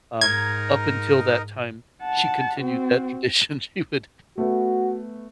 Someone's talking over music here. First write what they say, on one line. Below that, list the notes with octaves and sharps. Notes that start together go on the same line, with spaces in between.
Um, up until that time, she continued that tradition. She would
G#2 D#4 A#4 D#5 G#6
F#5 A5
C4 F#4
A3 B3 F#4